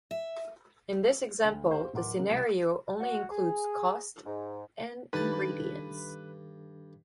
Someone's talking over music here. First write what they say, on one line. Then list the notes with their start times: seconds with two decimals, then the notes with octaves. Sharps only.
In this example, the scenario only includes cost and ingredients.
0.11 E5
1.45 D2
1.70 G4 C5 F5 C6 C#6
1.94 D1 A1 A#4 F#5 C6 D6
2.15 C#3 A#3
2.29 C2 C3 G4 G#6 D7 E7
3.00 F#4
3.30 G#4
4.26 G#2
5.13 G2 D#3 D4 D#4 A4 B4 A5 B5